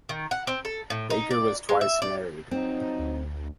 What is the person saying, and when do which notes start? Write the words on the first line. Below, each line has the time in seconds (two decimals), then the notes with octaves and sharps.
Baker was twice married.
0.09 D#3
0.31 F#5
0.47 C4
0.65 A4
0.90 A2
1.10 D#4
1.31 D5
1.69 G#3
1.81 E5
2.02 D5
2.51 F3 F#3 C4 D#4
2.99 D2